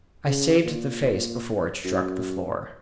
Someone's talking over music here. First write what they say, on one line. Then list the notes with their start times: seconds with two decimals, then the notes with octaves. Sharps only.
I saved the face before it struck the floor.
0.26 C#3
0.65 A#2
1.85 F#2